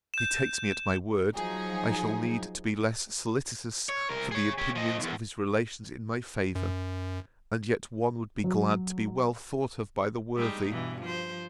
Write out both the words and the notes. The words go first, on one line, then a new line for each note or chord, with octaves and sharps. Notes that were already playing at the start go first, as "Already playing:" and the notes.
If he takes me at my word, I shall need to be less solicitous for the opinions of his relations in my favour: and yet one would be glad to be well thought of by the worthy.
G6 E7
F3 F#3 D#4 G#4
C#5
C2 A#4
G#4 C#5
G4 C#5
F3 D#5
B1 E2
F#2
F#3
G3 G#3 D#4
G2 B2 E3
F3 C5